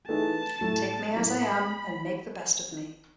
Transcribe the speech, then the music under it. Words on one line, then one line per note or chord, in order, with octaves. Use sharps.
Take me as I am, and make the best of me.
E3 A3 D#4 G#4 B4 A5
A2 F#3 A3
A2 F#3 A3 B5